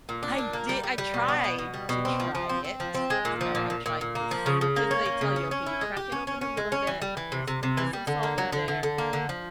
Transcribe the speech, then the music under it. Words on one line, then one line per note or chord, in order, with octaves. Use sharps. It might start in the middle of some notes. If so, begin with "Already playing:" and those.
I di I tried to try it, you know, I tried this 'cause they tell you, "Okay, you crack it open a little bit, sprinkle some salt in there,
A#2
D4
A#2
A#3
G3
G3
G3
B2
B3
B2
B2
G3
B2
C4
F3
F3
C4
C4
F3
C4
G#3
A#2
F3
A#2
A#2
A#2
A#2
A#3
F3
C#3
C#3
A#3
C#4
A#3
C#3
C#4
C#4
E4
G#3
G4
C#4
C#4
C#4
G#3
C#4
E3
G3
E3
C3
C3
C3
E3
G3
D3
A#3
F#3
D3
D3
D3
A#3
D3
F3